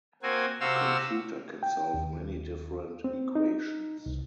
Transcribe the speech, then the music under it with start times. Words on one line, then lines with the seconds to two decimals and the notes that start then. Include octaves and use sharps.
A computer can solve many different equations.
0.23 A#3 C4 F#4 G#5
0.60 C3 F#4 C5 F5 E6
1.63 G5
1.94 D#2
3.04 C4
3.35 D#4
4.06 C2